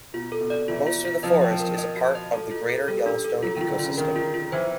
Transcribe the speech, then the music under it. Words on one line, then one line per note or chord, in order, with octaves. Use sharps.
Most of the forest is a part of the Greater Yellowstone Ecosystem.
B2 F4
A4
B2
D5
E3 F4
F4
F4
F3 D#5
G5
F3
A#4
D#5
F#4
D#5
A4
F4
A4
G3 A4
D4
A4
F#3 F4
D#3
F4
D3
C#3 F4
D#3 A#4
F4
F4
E3 C5